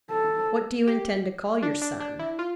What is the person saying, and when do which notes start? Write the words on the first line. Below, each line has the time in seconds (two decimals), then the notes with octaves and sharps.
"What do you intend to call your son?"
0.11 A4
0.87 G4
1.63 D4
1.82 D4
2.00 D4
2.19 E4
2.39 F4